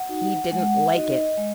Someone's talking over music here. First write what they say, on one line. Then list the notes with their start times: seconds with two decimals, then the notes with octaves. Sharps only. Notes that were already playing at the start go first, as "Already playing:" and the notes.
He didn't LIKE it!
Already playing: F#5
0.09 D#4 F#4
0.51 G#3 F#5
0.94 D#4 F#4 D#5
1.37 G#3